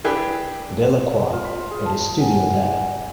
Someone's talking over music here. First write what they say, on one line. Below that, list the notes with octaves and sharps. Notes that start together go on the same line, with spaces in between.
Delacroix had a studio there.
E3 D4 G4 G#4 B4 G5
F4
B5
G#4
A5
F#5 G#5